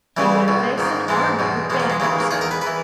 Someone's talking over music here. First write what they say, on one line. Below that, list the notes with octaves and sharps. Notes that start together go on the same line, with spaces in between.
He would have faced an army with banners.
C#2 C#3 E3 G3
C#2 B2
G#2 D#3
G#2 E3 G#3
E2 B2
E2 B2 G#3
A#3
G#3
D#2 C#3 E3 G#3
A#3
E2 D#3 G#4
A#4
B4
B4
E3